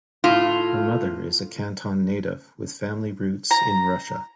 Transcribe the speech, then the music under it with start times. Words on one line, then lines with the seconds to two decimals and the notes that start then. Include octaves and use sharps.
Her mother is a Canton native with family roots in Russia.
0.24 A2 F4
3.51 A#5